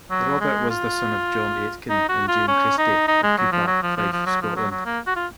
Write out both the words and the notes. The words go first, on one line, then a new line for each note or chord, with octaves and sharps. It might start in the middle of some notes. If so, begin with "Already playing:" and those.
Robert was the son of John Aitken and Jane Christie, of Cupar, Fife, Scotland.
F#3
G#3
F4
D#4
F#4
F4
C#4
D#4
D#4
G#3
F#3
F3
F#3
F3
F3
F3
F#3
F3
F#3
F#3
A#3
F#4
F4